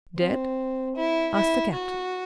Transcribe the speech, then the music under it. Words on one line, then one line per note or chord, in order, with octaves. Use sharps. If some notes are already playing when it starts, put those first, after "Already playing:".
"Dead?" asked the captain.
C4
E4
E4
F#4